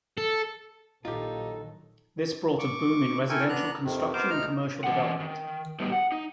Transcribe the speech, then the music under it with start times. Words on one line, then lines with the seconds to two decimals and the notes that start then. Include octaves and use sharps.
This brought a boom in residential construction and commercial development.
0.18 A4
1.05 A#1 A#2 D#3 F#3 D#4 F4 G4 A4
2.59 C#6 D6
3.29 E4 A4 A#4 G5 G#5 C#6
3.49 B3 D4 A#5 F#6
3.84 F2 C3 D#3
4.13 B3 A#4 C5 D6
4.30 D2 D#4 A#5 F6
4.84 E3 C#4 F#5
5.20 D#3
5.79 A2 G3 B3 D#4
5.92 F#5
6.12 D#4